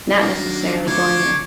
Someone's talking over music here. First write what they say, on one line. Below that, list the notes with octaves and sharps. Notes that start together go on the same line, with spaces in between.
not necessarily going in a
D#3 F#3 A#3 D4
D2 C5 C#5 C#6 D6